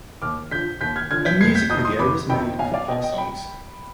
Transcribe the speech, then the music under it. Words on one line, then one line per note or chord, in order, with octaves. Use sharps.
A music video was made for "Pop Songs".
D#2 D6 F6
D3 F3 G6 B6
D#2 G6 B6
F6 G#6
D3 F3 F6 G#6
G6 B6
F1 G#6 C7
G6 B6
F2 C3 D#3 D#6 G6
C6 D#6
F1 B5 D6
F2 C3 D#3 G5 B5
B1 F5 G#5
D5 F5
B2 D#5 G5
D#5 G5
G5 B5